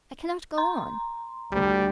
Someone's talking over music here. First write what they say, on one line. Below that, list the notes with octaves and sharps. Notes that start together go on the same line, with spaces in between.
I cannot go on.
A#5 C6
D2 G3